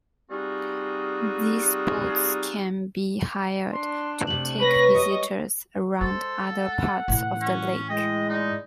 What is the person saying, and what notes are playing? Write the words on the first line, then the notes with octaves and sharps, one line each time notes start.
These boats can be hired to take visitors around other parts of the lake.
G3 C4 D#4 F4 F#4 G#4
D4 C6
C3 A3 F#7
B4 C#5 A#6
G3 D#5 D#6
G#3 A4 C5
F#5
A2 E3
C#4
G#3 E4 D#5 G5
D#4 D5